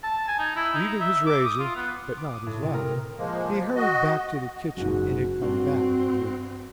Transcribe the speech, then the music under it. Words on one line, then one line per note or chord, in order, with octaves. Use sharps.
Leaving his razor, but not his lather, he hurried back to the kitchen in a combative mood.
A5
G#5
D#4
E4
D#4
E5
D6
D#6
F4
B3
D6
D#6
A2
C3
A#4
F3 G#3 A#3
F#4 D#5
F#1 G#2 F#4
G2 C4